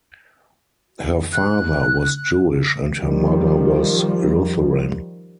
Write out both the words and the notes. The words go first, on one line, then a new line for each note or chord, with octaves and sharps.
Her father was Jewish and her mother was Lutheran.
F#6
D#3 F3 G3